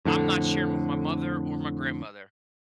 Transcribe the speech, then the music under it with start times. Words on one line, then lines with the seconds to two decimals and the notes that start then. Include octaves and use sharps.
I'm not sharing with my mother or my grandmother.
0.05 F2 A2 D3